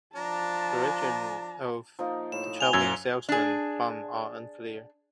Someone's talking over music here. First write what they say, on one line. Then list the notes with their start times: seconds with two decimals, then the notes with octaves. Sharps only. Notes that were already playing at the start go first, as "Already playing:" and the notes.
The origins of the travelling salesman problem are unclear.
0.16 F3 D4 A5 A#5
1.99 F3 A#3 D#4
2.32 A2 E7
2.60 G#5 F7 G7
2.73 F#2 E6 G#6
3.29 D4 G#4